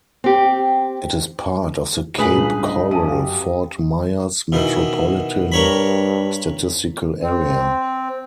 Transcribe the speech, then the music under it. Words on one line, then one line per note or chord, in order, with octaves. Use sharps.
It is part of the Cape Coral-Fort Myers Metropolitan Statistical Area.
C4 G4
A#2 G#4 B4 D#6 B6 D#7
C#2 G2
D#5
F#2 A5 D#6 D#7
G4 F5
B2 D#3 E3
G2 A#4 C#5 B5
C4